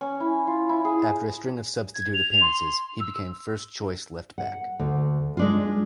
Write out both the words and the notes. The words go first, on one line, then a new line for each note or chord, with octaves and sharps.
After a string of substitute appearances, he became first-choice left back.
C#4
E4
F4
E4
G#4
G#6
F7
C6
E6
F#5
D2
G#3 D4 F4